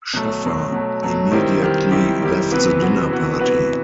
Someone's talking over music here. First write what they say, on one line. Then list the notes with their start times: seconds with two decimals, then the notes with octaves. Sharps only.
Schaffer immediately left the dinner party.
0.14 B2 F#3 A3
0.43 B2 F#3 A3
0.72 B2 F#3 A3
1.03 B2 F#3 A3
1.32 D#3 G3 C4 E4 G4
1.62 D#3 G3 C4 E4 G4
1.91 D#3 G3 C4 E4 G4
2.22 D#3 G3 C4 E4 G4
2.51 C3 E3 B3 F#4 B4
2.80 C3 E3 B3 F#4 B4
3.10 C3 E3 B3 F#4 B4
3.40 C3 E3 B3 F#4 B4